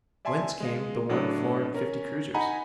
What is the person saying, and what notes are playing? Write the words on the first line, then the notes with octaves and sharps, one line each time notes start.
Whence came the one florin fifty kreuzers?
D5 E5 G#5 A5 C6
G#3 D#5 F5
A2 F#3 D4
C#4 A#4
D#4 D#5 F#5 G#5 A#5 B5